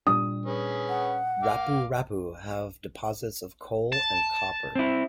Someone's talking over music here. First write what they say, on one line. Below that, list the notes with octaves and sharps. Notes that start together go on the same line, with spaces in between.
Rapu-Rapu have deposits of coal and copper.
A#2 G3 D4 D#6
C#4 G#4 B4
F#5
F5 D6
A5
C4 E4